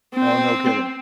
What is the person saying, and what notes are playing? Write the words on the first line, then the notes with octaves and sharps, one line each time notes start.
Oh, no kidding.
C4